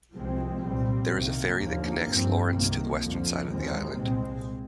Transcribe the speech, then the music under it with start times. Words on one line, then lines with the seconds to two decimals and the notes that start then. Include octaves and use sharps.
There is a ferry that connects Lawrence to the western side of the island.
0.14 C2 C3 F3 G#3 C4
0.61 C2 A#2 G3 C4
1.08 C2 C3 D#3 A#3
1.55 D#2 D3 F3 A#3
2.02 G2 F3 C4
2.50 C2 C3 D#3 A#3
2.96 F2 D3 F3
3.44 D#2 D#3 G#3 C4
3.91 C2 A#2 G#3 C4